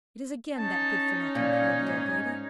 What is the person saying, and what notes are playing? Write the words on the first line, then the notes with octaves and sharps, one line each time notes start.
"It is again that good-for-nothing!" cried the old lady.
C#4 D#4 A5
A#2 G#5
G#2